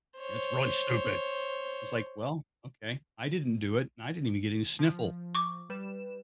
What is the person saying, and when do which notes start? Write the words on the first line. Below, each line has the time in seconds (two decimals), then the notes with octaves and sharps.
you know, "It's really stupid." I was like, "Well, okay." I didn't do it, and I didn't even get any sniffle.
0.20 C5 C#5
4.79 F3
5.35 C#6 D6
5.70 G3 B4 E7